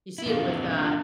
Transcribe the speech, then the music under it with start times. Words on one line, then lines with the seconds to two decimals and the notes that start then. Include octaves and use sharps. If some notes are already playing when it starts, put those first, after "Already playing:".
You see it with uh,
0.18 E4
0.25 E2 C3 F3 D4 F4
0.48 C4 E4
0.70 D4 F4
0.84 F4